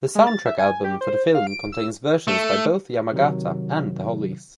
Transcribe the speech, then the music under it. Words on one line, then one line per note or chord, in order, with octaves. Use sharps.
The soundtrack album for the film contains versions by both Yamagata and the Hollies.
G#3
A6
E5
G#5
G4
C5
F5
D7
E6
A3
C3 D#3 F#3